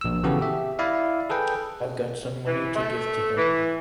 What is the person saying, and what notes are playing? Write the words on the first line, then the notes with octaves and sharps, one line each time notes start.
I've got some money to give to him.
A#1 E6
C#3 E3 B3 F#4 G4 A4
G4 E5
E4 D5 E5 F5
G#4 A4 B4 G5
E3
A3
E3